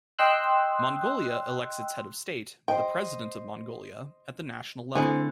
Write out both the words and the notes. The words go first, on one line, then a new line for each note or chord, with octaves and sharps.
Mongolia elects its head of state-the President of Mongolia-at the national level.
D#5 G5 C6 E6 F#6
C5 D#5 G5
D3 A3 C4 E4 G#4